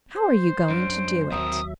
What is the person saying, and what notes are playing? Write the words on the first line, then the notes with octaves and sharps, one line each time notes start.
"How are you going to do it?"
C5
F#2 D4 D7
D#2 F#3 C4 A#4 E5 D#6